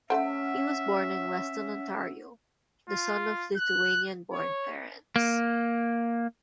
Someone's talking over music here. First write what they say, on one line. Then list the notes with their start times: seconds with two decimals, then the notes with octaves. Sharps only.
He was born in Weston, Ontario - the son of Lithuanian-born parents.
0.10 A3 C#4 C5 E5 F#5
2.89 F4
3.57 F#6
4.33 C#5
5.16 A#3